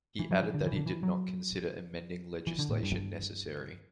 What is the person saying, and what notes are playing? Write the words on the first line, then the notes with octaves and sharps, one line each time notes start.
He added that he did not consider amending legislation necessary.
E3
F#3
E3
D3
E3
D3
E3
F#3
E3
D3
A2
G2